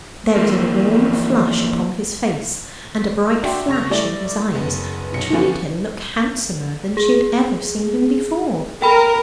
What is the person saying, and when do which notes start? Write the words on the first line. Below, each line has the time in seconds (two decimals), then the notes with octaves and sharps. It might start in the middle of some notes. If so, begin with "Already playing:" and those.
There was a warm flush upon his face, and a bright flash in his eyes, which made him look handsomer than she had ever seen him before.
0.36 E3 F3 A#3
3.42 D4 F#4 E5 G5 C6
3.68 C#3 C#6 A#6 F7
3.90 G3 A3 E4 D5
4.55 F#1 B3
5.14 B1 C#7
5.32 D3 E3 F3 B3 C#4
6.97 G#4
8.82 A#4 G5 B5